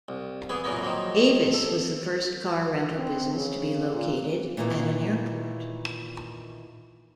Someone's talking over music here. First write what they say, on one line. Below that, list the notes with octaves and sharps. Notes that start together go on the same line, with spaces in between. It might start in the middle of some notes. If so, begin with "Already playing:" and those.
Avis was the first car rental business to be located at an airport.
C2
E3 B3 G#4
F#2 A#2 C#3 E3 A#3 B3
D#3 F3 F#3 A#3
A4
C4
C#3
A#2
A#2 D#3 E3 A3 A#3